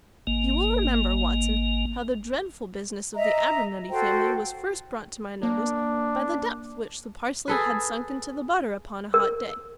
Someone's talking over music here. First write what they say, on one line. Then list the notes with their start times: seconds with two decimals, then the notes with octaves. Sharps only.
You will remember, Watson, how the dreadful business of the Abernetty family was first brought to my notice by the depth which the parsley had sunk into the butter upon a hot day.
0.27 G#1 A#3
3.15 D#5 E5 A#5
3.90 F#4 A4 C5 G5
5.43 A#3 D4
7.48 G#4 A4 B4
9.14 A#4